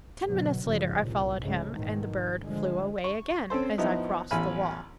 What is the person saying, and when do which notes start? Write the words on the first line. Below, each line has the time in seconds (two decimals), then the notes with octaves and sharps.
Ten minutes later I followed him, and the bird flew away again as I crossed the wall.
0.24 G#2 B2 D3 F#3
0.64 G1 G#2 C#3 F3 G3
1.00 C2 A#2
1.40 G#2 C#3 G#3 A3
1.71 E2 G#2 B2 D#3
2.41 D3 F3 G#3
3.04 C#6
3.50 C4 C#4 A4 C5
3.78 F3 B3 D#4 E4
4.31 A1 E2 G#5 B5 F6